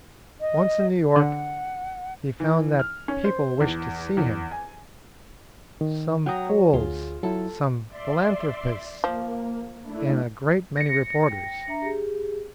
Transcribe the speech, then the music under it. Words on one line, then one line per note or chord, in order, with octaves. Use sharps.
Once in New York, he found that people wished to see him, some fools, some philanthropists, and a great many reporters.
D#5
D3 F#5
E3
F6
C#4
C5
E2
E2
G#5
D#3
F#3 F#5 G5 A#5 D#6
C#5
D2 F4 G#4
F#3 E4 A4
D5 E5 C6
F3 A#3
A3 D4 E4
A#6 C#7
G5
D4 E5 A#5
G4 G#4